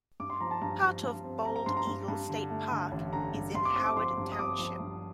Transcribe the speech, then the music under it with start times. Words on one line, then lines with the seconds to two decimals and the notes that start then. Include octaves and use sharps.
Part of Bald Eagle State Park is in Howard Township.
0.20 G2 D6
0.30 C6
0.40 F3 A#5
0.51 A5
0.62 G2 A#5
0.82 F3
1.03 G2
1.24 C4
1.45 C4 A#5
1.56 A#5
1.66 G2 C6
1.77 A#5
1.87 G2
2.08 G2
2.29 D3
2.50 A3
2.71 D3
2.92 A1
3.13 D3 A#5
3.34 G2
3.54 G2 C6
3.65 D6
3.76 C4 D6
3.86 D6
3.97 F3 C6
4.18 G2
4.32 D#6
4.39 C4 D6
4.59 F3
4.80 G2